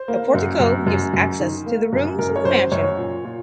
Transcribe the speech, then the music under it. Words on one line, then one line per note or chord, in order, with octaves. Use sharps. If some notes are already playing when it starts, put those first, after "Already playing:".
A portico gives access to the rooms of the mansion.
Already playing: C5
A#3
F#2
F#2
F#2
F#2
D#3
A#3
F#2
F#2 A#4
C#5
F#2 C5
F#2 C#5
A#2
A#2